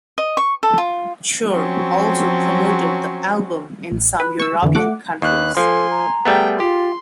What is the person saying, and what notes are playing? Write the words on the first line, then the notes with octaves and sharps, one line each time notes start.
Cher also promoted the album in some European countries.
D#5
C#6
A4
F4
F3 F#3 C4 C#4
A1
B4
C#6 E6
F2 D3 E3
A3 F#5 D6
D#2 B4 F#6
F3 A4 G#5 C6
A#5
G3 A3 B3 G#4 G5
F4 G4 C6